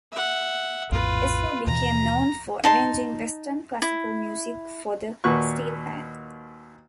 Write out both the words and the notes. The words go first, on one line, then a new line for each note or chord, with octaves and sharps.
Esso became known for arranging Western classical music for the steelpan.
E5 F#5
A#1 F2 A2 F4 B4
D#2 B2 E3 A#5
D#4 A5 C6
E4
D#2 A#2 F#4 B4 C#6